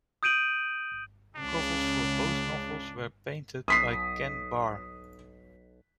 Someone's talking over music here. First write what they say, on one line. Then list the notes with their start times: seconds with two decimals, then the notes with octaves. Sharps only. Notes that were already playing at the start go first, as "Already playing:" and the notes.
Covers for both novels were painted by Ken Barr.
0.23 D#6 G6 D7 D#7 F#7
1.36 C#2 C#3 D4
3.68 B1 D#6 B6 C7